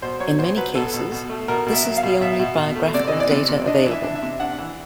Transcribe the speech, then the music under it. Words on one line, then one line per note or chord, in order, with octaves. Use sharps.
In many cases, this is the only biographical data available.
B2 C5
F#3 C#5
B2 C5
F#3 B4
B2 A4
B2
B2
A3
B2 A#4
B2
E5
F#3
F5
B2
B2 E5
B2
B2
A3
C3 D5
E3 D#5
D5
C3
C3
D4 D#5
E3
E5
D4
E5
C3
D4 F#5
E3